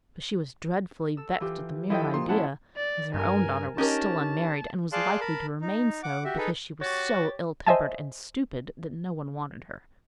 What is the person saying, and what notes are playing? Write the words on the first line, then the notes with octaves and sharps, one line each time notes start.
But she was dreadfully vexed at the mere idea, as her own daughter was still unmarried, and was likely to remain so, because she was so ill-tempered and stupid that no one wanted her.
A4 E6
E3 F4 G4
F3 E4 A4 C5 D#5 G5
A#2 C6
C#4 E4 F#5 A5 C6
D5
G2 A#4 G#5
C#4 D#4 G4 A#4 A5
G#4 D5 F5 A5 C6 F#6
A#4 A5 B5
D#4
F#5 D6
F#4 G4 E5
D#4 G#4 A4 B4
F#4 G4 C#5 A6
C5 D#5 E5 G#5 A5